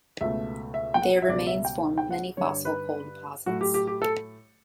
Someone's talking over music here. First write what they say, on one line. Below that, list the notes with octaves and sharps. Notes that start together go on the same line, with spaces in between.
Their remains formed many fossil coal deposits.
C#2 B2 A3 E5
E5
G5
F#5
E5
C#2 B2 G3 D5
E5
G5
G5
F#5
G2 D3 G3 C#5
B4
A2 F#3 A3 F#4
G4
G4
G4
A4